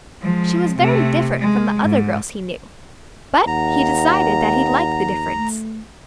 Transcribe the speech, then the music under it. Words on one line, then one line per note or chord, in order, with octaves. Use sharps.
She was very different from the other girls he knew, but he decided that he liked the difference.
F3 G#3
C3 A3
G#3
G#2
D#2 F#5 A#5
A3